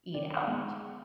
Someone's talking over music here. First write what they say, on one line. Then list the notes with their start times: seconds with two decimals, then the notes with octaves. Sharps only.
eat out."
0.14 D#3 D5
0.37 F#5
0.47 G#3